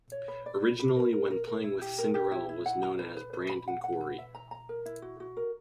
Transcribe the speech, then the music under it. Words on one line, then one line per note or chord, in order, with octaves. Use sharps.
Originally when playing with Cinderella was known as Brandon Coury.
C#5
B4
D5
B4
B4
A#4
A#4
A#4
A#4
E4
G4
A#4
G4
E4
E4
F#5
A#5
B4
B4
B4
B5
F#5
F#5
B4
E5
A#5
A#5
A#4
E4
F#4
F#4
A#4